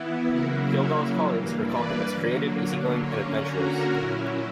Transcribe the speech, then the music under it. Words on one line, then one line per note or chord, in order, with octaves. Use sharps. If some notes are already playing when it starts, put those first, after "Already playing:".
Kildall's colleagues recall him as creative, easygoing, and adventurous.
Already playing: E3 B3 E4
C#3 F#3 A#3 E4 F#4 A#4
F#4 A#4
G2 E3 A#3
B4 D5
D3 F#3 A#3
D3 A#3 C#4 A#4 C#5
F#4 A#4
A#2 F#3 C#4 E4